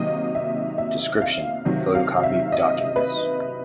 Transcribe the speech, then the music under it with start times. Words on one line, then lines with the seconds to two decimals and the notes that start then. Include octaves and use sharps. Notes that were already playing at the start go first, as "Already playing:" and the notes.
Description: photocopied documents.
Already playing: C3 D#3 F#3 A#3 D#5
0.35 E5
0.78 E5
1.22 F5
1.65 C3 D#3 F#3
1.95 F5
2.23 E5
2.52 D#5
2.96 B4